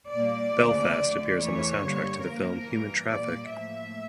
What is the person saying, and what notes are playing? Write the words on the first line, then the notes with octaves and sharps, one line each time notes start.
"Belfast" appears on the soundtrack to the film "Human Traffic".
A#2 G3 A#3 D5
D2 C#3 F3 A#3
D2 D3 A3
E2 E3 A3 C#5
G2 D3 G3 A#3
G2 F3 A#3 A#4
G2 E3 G3 A#3
A#2 G3 A#3 D5
A2 F3 A#3 E5